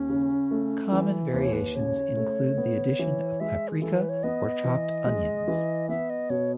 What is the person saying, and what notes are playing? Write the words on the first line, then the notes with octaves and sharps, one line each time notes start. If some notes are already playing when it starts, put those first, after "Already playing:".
Common variations include the addition of paprika or chopped onions.
Already playing: D#2 C#4
C#3
A3
E3
D#2 B4
C#5
B4
C#3 C#5
A3
B3
E3
G#3 E5
G#4
E3 A4
B4
C#5
B3 D#5
E3
G#3
E3
B3 E5
D#5
B2 C#5